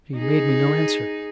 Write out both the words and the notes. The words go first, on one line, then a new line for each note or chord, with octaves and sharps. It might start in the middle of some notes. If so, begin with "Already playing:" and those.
She made me no answer.
D#4 G#4